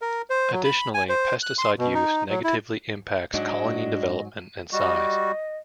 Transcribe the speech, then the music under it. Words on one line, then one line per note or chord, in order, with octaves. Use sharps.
Additionally, pesticide use negatively impacts colony development and size.
A#4
C5
F#3
B5
G#5
C5
F#6
C6
B2
D#4
F#3
E4
G#2 F#3 D4 F#4 D#5
G3 F#4 D#5